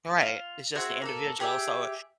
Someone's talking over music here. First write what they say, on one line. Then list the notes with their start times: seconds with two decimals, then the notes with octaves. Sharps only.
Right. It's just the individual. So
0.21 F4
0.75 C4 F#4 G#4 E5
1.02 A#3 A4
1.40 G4 G#4 D5 E5